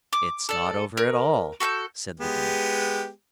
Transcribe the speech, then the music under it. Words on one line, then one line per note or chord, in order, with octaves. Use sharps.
"It's not over at all," said the dean.
D6
A4 D5
A#4
F#4 A4 E6 G6
G#3 B3 G4